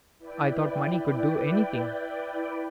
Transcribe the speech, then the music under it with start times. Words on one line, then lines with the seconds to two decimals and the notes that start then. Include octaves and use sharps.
I thought money could do anything.
0.18 E4 B4 D5 G5